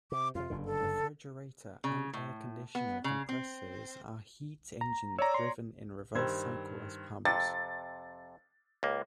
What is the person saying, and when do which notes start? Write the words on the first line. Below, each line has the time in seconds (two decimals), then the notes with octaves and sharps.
Refrigerator and air conditioner compressors are heat engines driven in reverse cycle as pumps.
0.12 C3 D6
0.35 F2 C3 F4
0.50 F#1 G2 D3
0.65 A4
1.84 C#3
2.13 A2
2.75 B3
3.04 C#3
3.29 C4
4.81 A#5
5.19 C#5 D5 A#5 E6
5.34 C6
6.15 G2 D#3 G4 C5 E6 G#6
7.25 F2 C3 A6
8.83 C#2 A#3